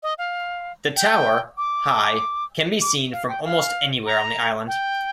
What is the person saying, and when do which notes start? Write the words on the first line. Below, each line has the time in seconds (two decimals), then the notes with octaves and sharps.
The tower, high, can be seen from almost anywhere on the island.
0.03 D#5
0.18 F5
0.96 G5
1.58 D6
2.81 D6
3.12 F5
3.29 G5
3.45 F5
4.06 A#5
4.68 G5